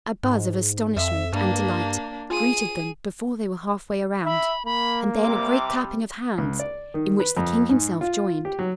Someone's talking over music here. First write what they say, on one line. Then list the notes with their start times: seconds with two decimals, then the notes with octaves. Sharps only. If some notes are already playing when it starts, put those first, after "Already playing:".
A buzz of astonishment and delight greeted them before they were half way around, and then a great clapping of hands, in which the king himself joined.
0.23 G#2
0.96 F2 E5
1.33 G2 A#3 D4
2.30 F4 G#4 D#7
4.25 E5 B5
4.65 A#3 B5
5.22 C3 G3 D6
6.38 C#2
6.60 D5
6.94 D#3
7.20 B4
7.37 F2
7.69 G#2
8.01 F4
8.45 G4
8.59 F#3